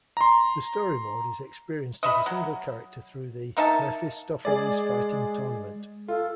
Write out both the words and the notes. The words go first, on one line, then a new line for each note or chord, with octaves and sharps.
The story mode is experienced as a single character through the "Mephistopheles Fighting Tournament".
A#5 C6
D#5 E5 B5
F#3
A#3 D#4 E5 A5
G#3 G#4 D5
F4 A4